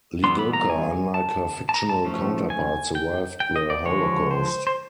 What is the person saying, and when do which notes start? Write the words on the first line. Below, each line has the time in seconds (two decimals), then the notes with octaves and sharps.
Ligocka, unlike her fictional counterpart, survived the Holocaust.
0.24 E3 G3 B3 C6
0.39 B5
0.53 A#5
0.70 G#5
1.14 A5
1.69 A5
1.74 A#5
1.89 A5
2.05 F3 A3 C#4
2.50 G#5
2.95 G5
3.40 G5
3.56 D#5
3.70 D5
3.85 D3 F3 G#3 C#5
4.31 C5
4.67 C5